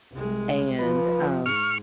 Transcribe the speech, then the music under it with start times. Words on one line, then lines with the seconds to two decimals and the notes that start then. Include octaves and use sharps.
and, um,
0.12 C2 G#3
0.79 F3 B4
1.46 G#2 C#6 F6